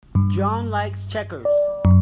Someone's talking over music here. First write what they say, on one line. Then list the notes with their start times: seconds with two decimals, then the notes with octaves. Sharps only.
John likes checkers.
0.15 G2
1.45 D5
1.85 F#2